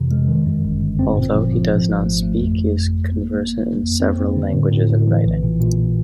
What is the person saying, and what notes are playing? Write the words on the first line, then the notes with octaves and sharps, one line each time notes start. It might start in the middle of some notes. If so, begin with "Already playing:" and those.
Although he does not speak, he is conversant in several languages in writing.
Already playing: F2 C3 E3
G#3
D#3
F#2
G1
G1
C4
A#2
F3
F3
G#2
G#1
A3
A3
F2
G1
F2
G1
A#3
A#3
A#3
A#3
F2
C4
C4
D3
A2
A2
A2
E3
A#1
A#2
A#2